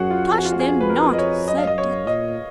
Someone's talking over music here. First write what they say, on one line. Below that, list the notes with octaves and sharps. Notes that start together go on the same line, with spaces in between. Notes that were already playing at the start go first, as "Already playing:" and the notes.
"Touch them not!" said Death.
Already playing: F#2 F#4 G#4 F#5
F4
F2 G#4
F#4
F4
F#4
G#4
B4
A#4
D#5
C#5
F#2 D#5
F5
D#5
C#5
A#2 D#5